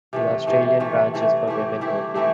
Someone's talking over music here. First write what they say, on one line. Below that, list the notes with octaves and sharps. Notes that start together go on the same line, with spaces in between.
The Australian branch is for women only.
C3 E3 A3
C3 E3 A3
C3 E3 A3
C3 E3 A3
E3 A3 E4 G4
E3 A3 E4 G4
E3 A3 E4 G4